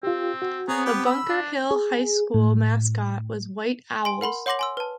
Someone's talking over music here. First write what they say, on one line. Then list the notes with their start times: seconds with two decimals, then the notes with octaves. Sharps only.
The Bunker Hill High School mascot was White Owls.
0.03 C4 F4 G4
0.42 F#4
0.68 B3 C4 G#4 C#5 A#5
0.86 G4 B4
1.06 B5 E6
1.29 D4
1.71 G#4
2.34 A2
4.05 G#5 C6
4.21 A#4 F#5 B5 C6
4.46 C#5 F#5 C6 D6 A#6 F#7
4.59 G#5 C6 E6
4.77 B4 A5